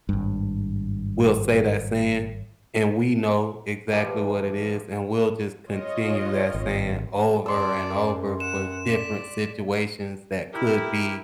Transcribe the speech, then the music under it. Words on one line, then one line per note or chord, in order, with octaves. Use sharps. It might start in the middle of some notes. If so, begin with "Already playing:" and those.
we'll say that saying, and we know exactly what it is, and we'll just continue that saying over and over for different situations that could be
G#1 G2
E3 F3 G3
F4 C#5 D#5
G#1
F#2 D5 A5 C6 E6
F#5 E7
D5 B6
E4 G4 A#4